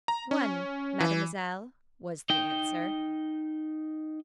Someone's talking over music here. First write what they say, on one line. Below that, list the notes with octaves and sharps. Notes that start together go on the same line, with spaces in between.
"One, mademoiselle," was the answer.
A#5
C#4
E3
D#4 G5